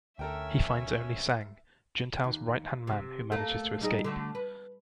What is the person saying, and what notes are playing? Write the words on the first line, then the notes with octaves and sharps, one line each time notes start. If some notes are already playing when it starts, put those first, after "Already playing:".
He finds only Sang, Juntao's right-hand man, who manages to escape.
D2 C#4 A4 A#4 E5 G5
D#2
C3
A3 A#3
G3 D#4 G#4
D3 A3 F#4
B4